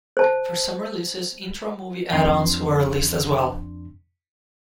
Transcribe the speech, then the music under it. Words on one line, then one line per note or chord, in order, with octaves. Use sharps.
For some releases, intro movie add-ons were released as well.
C5 A5
F2 D4 C6 C7